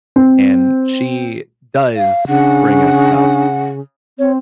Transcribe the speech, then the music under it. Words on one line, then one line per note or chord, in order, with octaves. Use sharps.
and she does bring us stuff
C4
F5
C#3 D4 F#5
C4 C#5